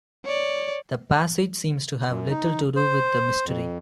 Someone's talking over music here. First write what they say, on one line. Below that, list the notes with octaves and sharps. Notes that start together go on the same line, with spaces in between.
The passage seems to have little to do with the mystery.
C#5 D5
F#2
D#4
C5
F2